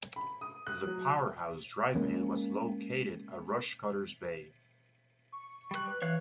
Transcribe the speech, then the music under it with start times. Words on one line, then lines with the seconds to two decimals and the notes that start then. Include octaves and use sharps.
The powerhouse driving it was located at Rushcutters Bay.
0.16 B5
0.41 D#6
0.67 F#6
0.87 F#3
1.95 G#3 A#3 C#4
5.32 C#6
5.71 G3 F#6
5.87 B4
6.02 E3 C#5 F5 F#6